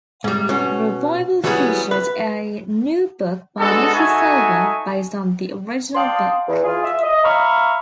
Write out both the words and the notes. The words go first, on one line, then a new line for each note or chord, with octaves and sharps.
The revival featured a new book by Nicky Silver based on the original book.
G#2 G3
B2 C#4
E3 F#3 G3 B3 G#4
B4
G#3 B3 D4 D#4 F#4 A4
D#4 F#4 A4 E5 G#5
D5 F5 G5 A5 C6 D#6
E2
F4 G#4
E5
D#5
E5 F5 A#5 B5 C#6 F6